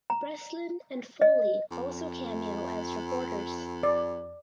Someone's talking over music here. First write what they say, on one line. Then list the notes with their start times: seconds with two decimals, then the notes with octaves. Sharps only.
Breslin and Foley also cameo as reporters.
0.10 A#5
1.22 D#5
1.71 F2
3.83 D5